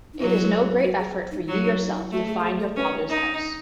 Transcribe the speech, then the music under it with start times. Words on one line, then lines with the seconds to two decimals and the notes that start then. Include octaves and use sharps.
It is no great effort for you yourself to find your father’s house.
0.14 D#4
0.19 F#3 E4
0.79 E4
0.83 F#4
0.99 G#4
1.31 D#4
1.47 F#3 D#4
1.64 D#4
1.80 E4
1.88 D#4
1.96 E4
2.12 A3 F#4
2.27 G#4
2.39 A4
2.44 G#4
2.60 A4
2.76 C#4 B4
3.09 D#4